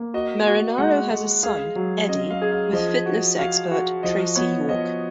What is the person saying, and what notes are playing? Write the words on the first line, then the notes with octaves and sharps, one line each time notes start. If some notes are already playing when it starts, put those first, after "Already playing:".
Marinaro has a son, Eddie, with fitness expert Tracy York.
Already playing: A#3
F#4 D#5
F#4
G#3 F#5
G#3
G#4 F5
F#3
C#4 D#5
F5
G#4
F5
F3 D#5
F#4
F#4 F5
F#4
F3 D#5
B3 C#5
F3 D#5